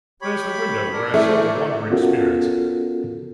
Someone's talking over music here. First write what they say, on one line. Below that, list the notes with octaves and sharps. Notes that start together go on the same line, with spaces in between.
There's the window where I saw the wandering Spirits!
G4 C#5 B5
D4 A#4
E3 A3
B3 C#4 F4 F#4 A4 A#4